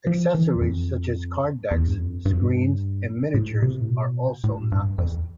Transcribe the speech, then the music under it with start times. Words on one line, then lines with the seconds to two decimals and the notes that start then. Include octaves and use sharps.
Accessories such as card decks, screens and miniatures are also not listed.
0.07 F3
0.35 E3
0.56 E2
0.62 F2
1.71 E2
1.87 G2
1.98 F2
2.25 G2
2.33 F2
2.41 G2
3.34 A2
3.62 C3
3.81 A2
3.89 B2
4.44 A2
4.72 G2
4.98 F2
5.07 E2